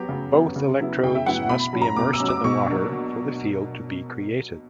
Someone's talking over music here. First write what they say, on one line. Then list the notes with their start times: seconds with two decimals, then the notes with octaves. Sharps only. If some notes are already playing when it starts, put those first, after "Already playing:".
Both electrodes must be immersed in the water for the field to be created.
Already playing: F#3 B3 G4
0.09 C#3
0.32 F#3 B3
0.56 C#3
0.79 F#3 B3 E4
1.03 C#3 G5
1.15 E5
1.26 F#3 B3 E4 F#5
1.49 B2 B5
1.73 F#3 C#4
1.81 A#5
1.96 B2 D6
2.13 E6
2.20 F#3 C#4
2.28 D6
2.44 B2 C#6
2.68 F#3 A#3 D4